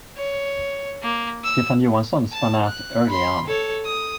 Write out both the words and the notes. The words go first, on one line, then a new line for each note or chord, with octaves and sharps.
Stefan Johansson spun out early on.
C#5
A#3
E6
A5
F#6
B5 C6
A4 C#5
D#6